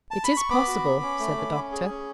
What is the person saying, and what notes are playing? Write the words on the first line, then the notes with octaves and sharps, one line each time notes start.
"It is possible," said the doctor.
A5
B5
C#6
B3 B5 D6
F#4
B3
C#4
A3
C#4
C#4
G#4
C#4